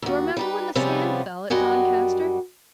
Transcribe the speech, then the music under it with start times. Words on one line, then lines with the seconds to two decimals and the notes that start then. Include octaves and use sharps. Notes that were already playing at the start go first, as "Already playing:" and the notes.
You remember when the stand fell at Doncaster?
0.02 D#2 F#4
0.37 G3 D#4 B4
0.75 C3 F3 G3 B3 C#4 G#4
1.50 F#2 G3 F#4 D#5 G#5